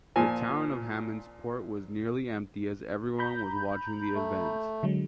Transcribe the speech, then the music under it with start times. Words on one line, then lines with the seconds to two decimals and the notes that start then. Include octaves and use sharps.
The town of Hammondsport was nearly empty as everyone was watching the event.
0.16 A#2 F3 G#5
3.19 A#5 B5 G6
4.15 A3
4.83 D3 F#3 G#3